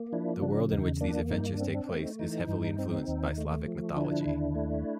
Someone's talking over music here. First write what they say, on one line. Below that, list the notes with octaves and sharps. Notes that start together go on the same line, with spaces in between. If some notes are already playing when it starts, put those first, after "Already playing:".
The world in which these adventures take place is heavily influenced by Slavic mythology.
Already playing: A#3
F3 D4 E4
C#3 D4
E2 D#4
A#3 D4
G2 D#4
D4
C4
D4
A3
D#4
E3 D#4
G2
C4
D#2
A3
F3
D3 D4 E4
D#2
A3